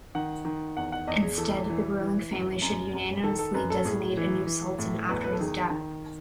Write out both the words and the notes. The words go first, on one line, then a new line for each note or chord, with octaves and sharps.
Instead, the ruling family should unanimously designate a new Sultan after his death.
D#3 F#5
D#3
E2 F#5
F#5
E2 D#5
G#4
E3 A4
E3
E3
F#2
F#2
F#2
D#3 A4
A4
F#2 B4
A4
A2 G#4
E3
E3
A2
E2 B4
B4
A4
D#3 G#4
D#3